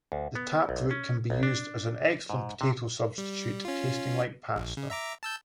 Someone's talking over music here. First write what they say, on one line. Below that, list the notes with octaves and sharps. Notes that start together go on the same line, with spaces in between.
The tap root can be used as an excellent potato substitute, tasting like pasta.
D2
B3
B1
C#4
B1
D4
G#2
C3
G3
C#4 F4
A#1
C#3
E5 A#5 D6
A5 E6 G6